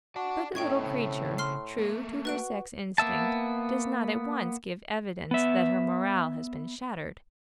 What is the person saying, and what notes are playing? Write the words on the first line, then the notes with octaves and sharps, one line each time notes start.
But the little creature, true to her sex-instinct, does not at once give evidence that her morale has been shattered.
F#4 D5 A5
A2 C#4 E4 D#5 G5 C#6 G#6
C#3 C4 C#4
C6 F6 C7
A3 A#3
F#4 B4 F#6 D7
A#3 B3 E5 A5
B3 E5